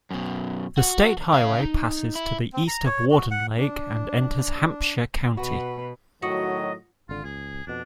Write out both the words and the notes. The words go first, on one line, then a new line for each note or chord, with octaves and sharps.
The state highway passes to the east of Warden Lake and enters Hampshire County.
F#2 B2
F#4
C#3 F5
D#4
E4
C4
A#5
C#5
F#4
F#5
D4
B2 F#4 B4
A2 D#3 F#3 F#4 D#5
G#1 D3 F4
C#2 G#4
F2 B2 D4